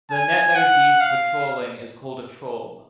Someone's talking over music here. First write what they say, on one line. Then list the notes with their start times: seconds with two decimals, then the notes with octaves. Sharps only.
The net that is used for trawling is called a trawl.
0.11 G#5
0.55 F#5
1.01 F5